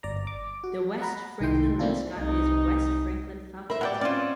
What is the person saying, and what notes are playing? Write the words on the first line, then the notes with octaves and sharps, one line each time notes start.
The West Franklin mascot is West Franklin Falcons.
G1 D5 A#5
D6
F#4
F#5 A#5 B5
C2 D#3 D#4 E4 G5 C6
A3 A#3 C4 D4 F4 A4
C2 D#4
A#4 C5 E5 B5
F#3 B3 G4 D5 G5
C4 C#4 F4 D5